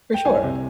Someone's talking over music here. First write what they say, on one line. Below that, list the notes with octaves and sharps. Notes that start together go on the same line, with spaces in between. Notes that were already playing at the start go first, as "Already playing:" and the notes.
For sure.
G5
C2 G#5
C3